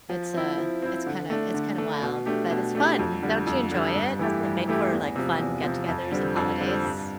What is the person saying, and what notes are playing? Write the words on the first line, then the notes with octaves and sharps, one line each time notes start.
it's a it's kinda it's kinda wild, uh, but it's fun. Don't you enjoy it? Doesn't it make for, like, fun get togethers and holidays?
F3
C4 E4
F3
C4 E4
D3
A3 D4
D3
A3 D4
B2
A3 D4 G4
B2
A3 D4 G4
F2
D3 G3
F2
D3 G3
G2
E3 A3 E4 G4
G2
E3 A3 E4 G4
E2
C3 F3
E2
C3 F3
F2
D3 G3 C4
F2
D3 G3 C4
G2